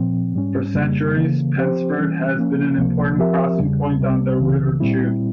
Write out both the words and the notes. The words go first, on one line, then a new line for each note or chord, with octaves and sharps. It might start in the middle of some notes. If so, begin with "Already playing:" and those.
For centuries Pensford has been an important crossing point on the River Chew.
Already playing: A#2 F3 C4
G#2 G3 C#4
F2 C#3 G3 A#3
C#3 E3 A#3
F3 C4 G4 C5
E3 G3 C#4
F3 A#3 C#4
C#2 C3 F3 A#3
F3 C4 G4 A#4 E5
E2 C#3 G3
C2 C3 G3
C#2 C#3 E3
A#2 G3 C4 E4